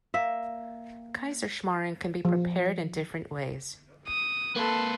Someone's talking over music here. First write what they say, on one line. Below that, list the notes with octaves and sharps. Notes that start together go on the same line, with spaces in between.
Kaiserschmarren can be prepared in different ways.
A#3 E5
F3
D#6
A#3 A4 B4 C6